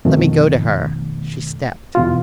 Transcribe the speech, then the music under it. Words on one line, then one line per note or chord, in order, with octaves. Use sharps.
"Let me go to her." She stepped.
F2 B2 D#3 A3
E2 B2 F4